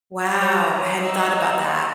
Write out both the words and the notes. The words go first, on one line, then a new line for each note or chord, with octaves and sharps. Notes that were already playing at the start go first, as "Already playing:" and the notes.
Wow, I hadn't thought about that.
C#5 A#5
D#4 E6